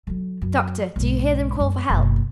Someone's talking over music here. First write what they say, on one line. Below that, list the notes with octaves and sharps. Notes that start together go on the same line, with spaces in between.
"Doctor, do you hear them call for help?"
D3 F#3
F#2
B1 G#2
F#2 G#3
F#1 B2